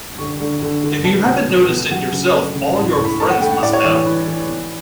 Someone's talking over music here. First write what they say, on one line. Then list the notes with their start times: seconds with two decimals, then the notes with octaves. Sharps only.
If you haven't noticed it yourself all your friends must have.
0.18 D3 C#6
0.40 D3
0.62 D3
0.84 D3
1.04 B2 A5
1.27 B2
1.48 B2
1.70 B2
1.91 F#3 F#5
2.12 C#3
2.34 A3
2.55 C#3
2.77 A2 A5
2.91 C#6
2.98 A2
3.05 B5
3.20 A3 A5
3.30 F#5
3.41 A3 G5
3.52 F#5
3.63 A2 D5
3.73 C#5
3.84 E3 D5
3.95 C#5
4.06 E3 B4
4.27 E3
4.48 B3